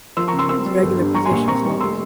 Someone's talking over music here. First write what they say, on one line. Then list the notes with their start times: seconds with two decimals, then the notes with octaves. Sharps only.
His regular position is lock.
0.17 F3 C6 E6
0.28 A#5 C#6
0.33 C#3
0.39 C6 E6
0.49 C4 C6 E6
0.66 G3
0.83 G1
0.99 G2
1.14 G3 A#5 C#6
1.25 G#5 C6
1.31 A#1
1.48 C4 A#5 C#6
1.65 G3
1.80 F1 C6 E6